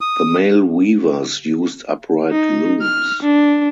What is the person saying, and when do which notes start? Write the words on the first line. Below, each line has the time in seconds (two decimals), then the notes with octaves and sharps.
The male weavers used upright looms.
0.01 D#6
2.31 D#4
2.82 F6
3.23 D4